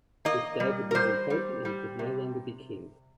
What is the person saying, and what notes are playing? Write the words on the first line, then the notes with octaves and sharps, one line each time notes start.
If David was impotent he could no longer be king.
A#3 D#5
G3
A#4
G3 C5
G3
G3
C3